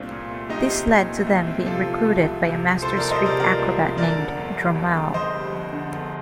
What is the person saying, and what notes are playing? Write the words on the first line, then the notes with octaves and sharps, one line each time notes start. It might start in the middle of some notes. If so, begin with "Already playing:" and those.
This led to them being recruited by a master street acrobat named Dromale.
Already playing: C2 A#2 A3 C4 D4 F4
A#2
A3
C2 D#4 G4
C4
A#2
A3
C2
C4
C3 F4 A4
F3
C2
C2
C3
F3
C2 A4 C5
C2 A#4 D5
C5 D#5
C3 A#4 D5
F3 A#4 D5
C2
C2
F2 A#4 D5
D3
G1
G3
F2
D3
G1 C5 D#5
G3
F2
D3
G1